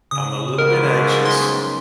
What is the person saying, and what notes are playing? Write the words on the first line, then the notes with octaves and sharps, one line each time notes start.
I'm a little bit anxious.
C#3 D#6
C#2 G#2 A#4
F#3 G3 D#4
G#3 B3 C#4 C6